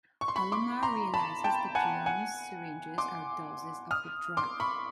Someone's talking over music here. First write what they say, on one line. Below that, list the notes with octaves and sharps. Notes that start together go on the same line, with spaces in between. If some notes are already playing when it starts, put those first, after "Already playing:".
Alomar realizes that Gionne's syringes are doses of the drug.
C#6
C6
B5 C#6
C6 D6
A#5 C6
A5 B5
G5 A5
F#5 G#5
F#5 G#5
C6 D6
D#6 F6
C6 D6
B5 C#6